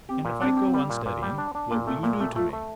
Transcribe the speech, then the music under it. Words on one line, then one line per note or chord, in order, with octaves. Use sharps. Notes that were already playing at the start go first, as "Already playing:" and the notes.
"And if I go on studying, what will you do to me?"
C4 G4
A#2
C4 D4
G4
G3
A#2
A#2
G3
D4
D4
A#2 A#3
A3 C4
A#2 A#3
A3 C4
A3 F4
A3